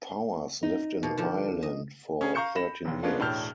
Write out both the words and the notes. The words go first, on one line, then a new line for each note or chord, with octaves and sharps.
Powers lived in Ireland for thirteen years.
D#4
B2 A#3
D3 F3
D#5
C#4 G#4
F5 A#5 C#6 G6 C#7 E7
B5 A#6 E7
F1 D#2
G#3 A#3 B3 C#4 D4 F4
E1 A2 D4 A5 F6 G6